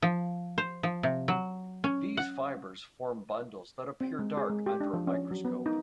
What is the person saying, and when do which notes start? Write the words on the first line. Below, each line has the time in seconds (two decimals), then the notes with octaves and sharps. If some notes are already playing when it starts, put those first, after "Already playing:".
These fibers form bundles that appear dark under a microscope.
0.02 F3
0.58 C5
0.83 F3
1.03 C3
1.28 F#3
1.84 C#4
2.17 F#5
4.01 C4
4.19 G#3
4.37 G#4
4.49 G#3
4.66 G4
4.80 D4
4.93 F3
5.07 C#4
5.31 F#3
5.45 B3
5.66 D#4